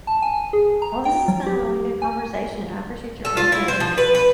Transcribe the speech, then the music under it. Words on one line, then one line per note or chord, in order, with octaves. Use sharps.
Well, this has been a really good conversation. I appreciate your input, and
A5
G#5
G#4
A#5
G5
F#3
G4
G#5
A4
F4
E4
C5
F3
B4
B4